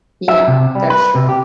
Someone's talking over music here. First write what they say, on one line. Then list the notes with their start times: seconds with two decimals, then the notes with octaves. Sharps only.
Yeah, that's true.
0.28 E5
0.48 C3
0.75 G3
0.90 B4
1.15 C3
1.29 G4